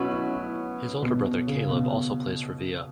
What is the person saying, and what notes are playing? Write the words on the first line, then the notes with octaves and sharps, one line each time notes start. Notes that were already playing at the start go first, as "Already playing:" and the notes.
His older brother Caleb also plays for Villa.
Already playing: B2 F#3 B3 C#4 E4 F#4
E4
E4
B2
C#3
B2